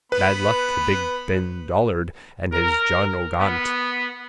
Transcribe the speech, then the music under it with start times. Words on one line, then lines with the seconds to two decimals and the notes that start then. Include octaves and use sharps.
Bad luck to big Ben Dollard and his John O'Gaunt.
0.12 B3 B4 B5
2.53 A#4
3.39 B3